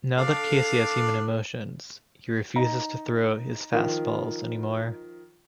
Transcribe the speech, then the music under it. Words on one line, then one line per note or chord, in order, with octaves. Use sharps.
Now that Casey has human emotions, he refuses to throw his fast balls anymore.
D4 A4 D5 F5
D#4 A#5
D#3 F3